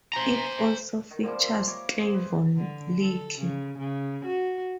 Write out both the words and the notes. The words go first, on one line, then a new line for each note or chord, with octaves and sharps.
It also features Cleavon Little.
C5 A#5
D#3
F3 G3 A#3 C4
E5 C6
C#5 A#5 D6
C4 G#4 C5
B4
D3
A4
C#3
C#3
F#4